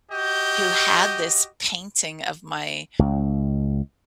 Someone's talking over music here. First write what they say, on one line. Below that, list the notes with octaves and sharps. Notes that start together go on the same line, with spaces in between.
who had this painting of my
F#4 G4 D#5 G6
C#2